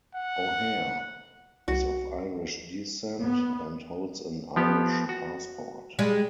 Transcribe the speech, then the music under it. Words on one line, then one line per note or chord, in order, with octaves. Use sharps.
O'Hare is of Irish descent and holds an Irish passport.
F#5
C2 F#4
B3
F3 B3 G4
F#4
G3 G#3